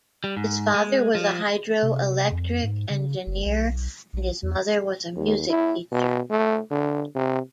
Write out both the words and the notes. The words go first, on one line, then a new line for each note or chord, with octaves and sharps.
His father was a hydroelectric engineer and his mother was a music teacher.
G3
G#2
G#3
F3
C3
F2
G#2
C#3
F#1
B1
A#1
E2
D#2
E4
B2
A3
D3
C3